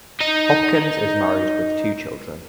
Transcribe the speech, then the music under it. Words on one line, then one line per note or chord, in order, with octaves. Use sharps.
Hopkins is married with two children.
D#4 D#5